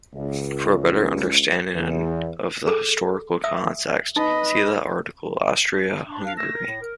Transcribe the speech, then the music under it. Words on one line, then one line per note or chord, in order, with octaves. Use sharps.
For a better understanding of the historical context, see the article Austria-Hungary.
C#2
E2
G#4 A4 D6
E5 D#6 E6
D#4 B4 D#5
D4
F5
A3 E6 A#6
A#4
A2
A#4